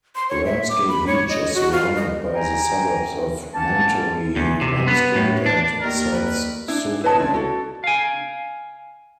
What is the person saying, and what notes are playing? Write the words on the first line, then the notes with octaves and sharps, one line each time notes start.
Ramsgate Beach is surrounded by the suburbs of Monterey, Ramsgate and Sans Souci.
C6
C#5
E5
D6
B5
C#5
D#5
F#4
F4
D#5
G5 G#5 A#5
A#3 C4 C#4 F#5 A5
E2
C3
B3
A2
D4
D#2 A#4 D5
B4
D4 E4
B4 C#5 D#5 A5
E4 F4 D5
F#4 A4
F5 G#5